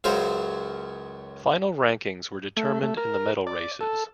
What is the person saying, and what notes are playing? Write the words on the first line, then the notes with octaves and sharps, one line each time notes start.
Final rankings were determined in the medal races.
C#2 F#2 C#3 F#3 C5 A#5
A3
A3
A#4
D5
A4